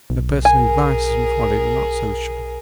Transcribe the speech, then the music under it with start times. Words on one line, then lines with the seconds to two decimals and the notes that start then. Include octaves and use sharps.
A person whose vices and follies are not sociable.
0.10 B1
0.45 G#4 A#4 G#5